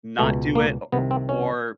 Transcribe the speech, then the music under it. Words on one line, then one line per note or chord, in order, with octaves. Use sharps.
not do it o or
C#2 B2 A3
A#3
C2 C3 D#3 B3
C4
C#4